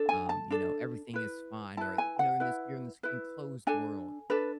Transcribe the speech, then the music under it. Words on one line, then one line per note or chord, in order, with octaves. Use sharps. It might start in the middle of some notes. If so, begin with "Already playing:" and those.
um, you know, everything is fine or you know, in this you're in this enclosed world,
Already playing: D4 A4
G#5
A5
D4 A4
E4 B4
E4 B4 A5
G#5
F#5
E4 B4
E4 B4
D4 A4 G#5
D4 A4 B4